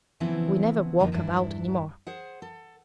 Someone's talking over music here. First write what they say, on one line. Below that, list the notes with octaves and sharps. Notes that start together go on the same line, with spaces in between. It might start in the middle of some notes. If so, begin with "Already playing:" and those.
We never walk about any more.
C#3 E3 F3 B3 C4 E4
F2 D3 F3 G#3 A#3 D#4
E2 G2 D4 E4
G#4 C5 F#5
A4